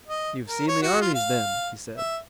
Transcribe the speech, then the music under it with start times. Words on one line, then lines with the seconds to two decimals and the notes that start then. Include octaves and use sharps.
"You've seen the armies, then?" he said.
0.09 D#5
0.48 A#4
0.68 C#5
0.82 F#4
1.01 F4
1.15 F5
1.97 E5